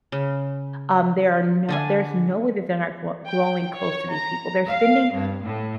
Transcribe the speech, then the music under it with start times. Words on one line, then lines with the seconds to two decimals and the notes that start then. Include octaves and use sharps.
um, there are no there's no way that they're not gro growing close to these people. They're spending
0.12 C#3
1.69 D3 D4 G#5
3.27 G5
3.78 C#5
4.10 A#5
4.69 F5
5.14 G2
5.43 A2